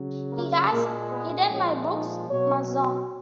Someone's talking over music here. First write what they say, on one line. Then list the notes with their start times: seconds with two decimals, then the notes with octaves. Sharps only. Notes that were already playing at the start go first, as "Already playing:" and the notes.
He has hidden my books, Mason.
Already playing: C#3 F#3
0.30 A#3
0.69 A#2 G#3 A#3
1.10 B3
1.49 A#2 F3 G#3 C#4
1.89 D#4
2.29 B2 F#3 C#5